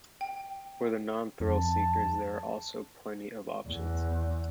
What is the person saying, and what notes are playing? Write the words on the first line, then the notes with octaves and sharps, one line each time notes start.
For the non-thrill-seekers there are also plenty of options.
G5
F2 A5
E2